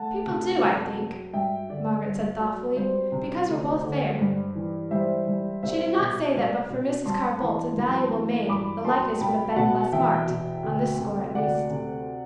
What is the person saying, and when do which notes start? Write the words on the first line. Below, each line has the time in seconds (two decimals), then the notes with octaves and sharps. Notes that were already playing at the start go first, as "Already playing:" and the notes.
"People do, I think," Margaret said thoughtfully, "because we're both fair." She did not say that but for Mrs. Carr-Bolt's invaluable maid the likeness would have been less marked, on this score at least.
Already playing: A3 F#5 A5
0.26 C3
0.62 F#2
0.97 F#3
1.33 G2 E5 G5
1.70 D3 D5
2.06 G2
2.41 F#3
2.76 G3 C5
3.12 C3
3.48 D2
3.84 D3
4.20 G2
4.55 E3
4.91 G3 C5 E5
5.27 G3
5.63 C2 C5 E5
5.99 B2
6.34 C2 D5
6.70 B2
7.06 G2 A5 C6
7.42 E3
7.77 F#2
8.13 E3
8.49 G2 B5 D6
8.85 F#3 A5 C6
9.21 C2 G5 B5
9.56 B2 F#5 A5
9.92 E2 E5 G5
10.28 B2
10.64 D2
11.00 C3
11.35 D2 D5 F#5
11.70 C3